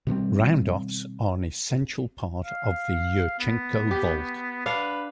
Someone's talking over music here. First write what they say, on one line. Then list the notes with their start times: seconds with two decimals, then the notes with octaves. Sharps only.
Roundoffs are an essential part of the Yurchenko vault.
0.07 B2 D#3 G3 C4
2.45 F5
3.39 B3
3.91 G4
4.66 D4 B4 F5 F#5